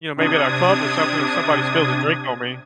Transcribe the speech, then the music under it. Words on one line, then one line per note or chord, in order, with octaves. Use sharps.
you know, maybe at a club or something, and somebody spills a drink on me.
C3 D4 D#6 G#6